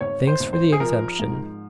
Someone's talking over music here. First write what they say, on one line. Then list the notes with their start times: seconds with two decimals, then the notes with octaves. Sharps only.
Thanks for the exemption.
0.01 G#1 C#5
0.27 C5
0.40 G#1
0.53 C5
0.72 G#4
0.80 F3 A#4
1.19 G#2